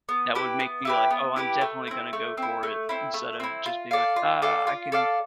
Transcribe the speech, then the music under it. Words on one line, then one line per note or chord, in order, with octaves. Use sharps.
that would make me, like, "Oh, I'm definitely gonna go for it," instead of just being like, "Ah, I can
B3
E4 G4 B4
B3
E4 G4 B4
B3
E4 G4 B4
A3
C4 E4
A3
C4 E4
A3
C4 E4
A3
C4 E4
F4
A4 D5 F5
F4
A4 D5 F5
F4
A4 D5 F5